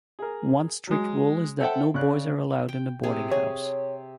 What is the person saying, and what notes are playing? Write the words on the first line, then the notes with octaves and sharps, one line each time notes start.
One strict rule is that no boys are allowed in the boarding house.
G#4 A#4
F#3 G#3
A4 C5 E5 F#5 G5 A5
C#3 D5 F#6
G5
C3 G#4
G#4 C#5